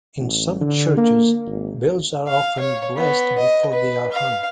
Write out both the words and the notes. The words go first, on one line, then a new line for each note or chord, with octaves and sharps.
In some churches, bells are often blessed before they are hung.
A1
D3
A#3
G#1
F5
C#5
B3
D#5
B4
F5